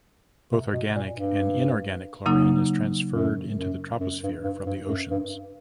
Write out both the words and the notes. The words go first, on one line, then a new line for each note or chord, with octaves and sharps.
Both organic and inorganic chlorine is transferred into the troposphere from the oceans.
C3
B2
A#2
G2
C#3 F#3 A#3 D#4
F#2
F#2
F#2
G2
G2
G2
F#2
G2